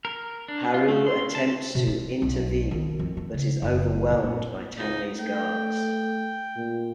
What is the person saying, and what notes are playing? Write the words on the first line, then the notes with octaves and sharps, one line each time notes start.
Haru attempts to intervene but is overwhelmed by Tanley's guards.
A#4
D4
F4
A3
C6
A5
B2
D#4
B1
D#3
F2
C#4
C#3
F#1
A#2
C#2 D#4
A3 G5
A#2